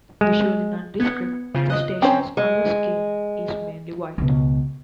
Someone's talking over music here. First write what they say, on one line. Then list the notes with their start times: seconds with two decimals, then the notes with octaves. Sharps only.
Visually nondescript, the station's colour scheme is mainly white.
0.21 G#3
1.00 B3 G#6 C#7
1.55 C#3 F4 C5
1.70 D#5 D#6 F#6
2.02 C4 C#4 C5 A#5 C6
2.37 G#3
4.18 C#2 B2